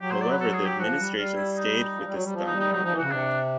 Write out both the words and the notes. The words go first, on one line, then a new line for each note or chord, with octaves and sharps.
However the administration stayed with the Stammlager.
F#3 G4
C5
D5
B4
A4
G#4
G4
F3 F#4
G3
G3 F4
E4
D#4
F3
G3
F#3
G3
F3
D#4
G3
D#4
F#3 D#4
F3 D#4
E3
C#3 F#4
C3 D4